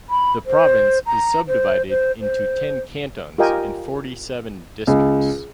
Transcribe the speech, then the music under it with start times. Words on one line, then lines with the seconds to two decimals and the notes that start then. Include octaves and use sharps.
The province is subdivided into ten cantons and forty seven districts.
0.09 B5
0.46 C5
1.06 A#5
1.47 C5
1.89 C5
2.21 C5
3.38 F4 G4 A#4 D#5 G5 G#5
4.87 C#2